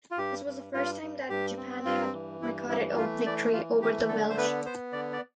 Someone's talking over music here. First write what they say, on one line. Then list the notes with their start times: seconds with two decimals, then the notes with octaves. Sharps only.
This was the first time that Japan had recorded a victory over the Welsh.
0.11 F4
0.18 G2 G4
0.45 G2
0.73 G2 F4
1.02 G2
1.29 G2 G4
1.57 C4
1.85 G2 F4
2.13 E3
2.41 G2 E4
2.69 E3 E4
2.97 A3 F4
3.26 E3 D5
3.53 E3 F4
3.81 A3 G4
4.09 D3 A4
4.30 C5
4.38 B3 B4
4.65 B3 C5
4.93 D3 D5
5.13 D5